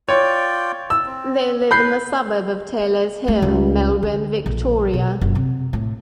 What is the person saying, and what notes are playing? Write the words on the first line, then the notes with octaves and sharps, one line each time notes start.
They live in the suburb of Taylors Hill, in Melbourne, Victoria.
F4 C#5 D5 G5
E6
C4
B4 B5 G6 C7
A3
C#2
D3
A#1
B2
F#1
C3
A2